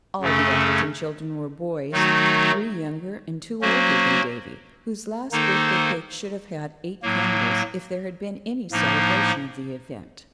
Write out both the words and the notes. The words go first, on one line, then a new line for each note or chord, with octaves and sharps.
All the Appleton children were boys,--three younger and two older than Davy, whose last birthday cake should have had eight candles if there had been any celebration of the event.
F#2 C#3 A3 C#4 A4
D#3 F#3 A3 D#4 F#4
F#3 A#3 C#4 F#4 C5
D#3 A#3 D#4 A4 C5
A2 F#3 A#3
A2 F3 A#3 D#4